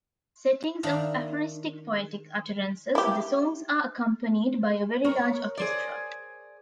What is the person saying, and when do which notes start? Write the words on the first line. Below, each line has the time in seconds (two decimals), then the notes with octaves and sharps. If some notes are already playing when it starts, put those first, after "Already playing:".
Settings of aphoristic poetic utterances, the songs are accompanied by a very large orchestra.
0.83 D#3 D4 E5 F5
2.95 E4 G4
5.05 A#4 C#5
5.57 G#4 C5 D5